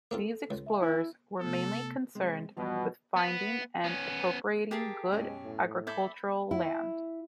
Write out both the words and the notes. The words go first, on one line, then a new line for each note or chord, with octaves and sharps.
These explorers were mainly concerned with finding and appropriating good agricultural land.
A#3 C4 F4 A4
C#2
E5 G#5
E4
C3 A3 B3 A4
C3 G#3
E2 G2 B2 F3
B3
B3 C#4
G4 G#4 A#4 A5 C7
F#2 B2 G#3 C#4
A2
A4 D5 E5 B5 G6 G#6
E4